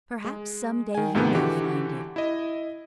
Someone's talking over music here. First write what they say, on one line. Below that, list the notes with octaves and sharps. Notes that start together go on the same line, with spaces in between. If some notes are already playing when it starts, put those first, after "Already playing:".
Perhaps some day you may find it.
G#3
D#3 G#5
D2 G#2 C3 D#3 F3 B3
D3 E3 F#4 G4
E4 D#5